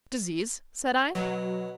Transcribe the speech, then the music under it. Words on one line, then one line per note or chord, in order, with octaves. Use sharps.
"Disease?" said I.
B2 F#3